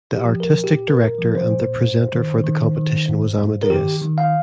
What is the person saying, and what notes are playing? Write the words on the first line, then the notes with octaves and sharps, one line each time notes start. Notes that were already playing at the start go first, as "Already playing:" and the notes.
The artistic director and the presenter for the competition was Amadeus.
G4
F3
A#4
A#2
G4
A#2 A#4
F3
C5
A#2
G2
D#3
D#3
D#3
G2
G2
A#4
D#3 G4
D#3
F5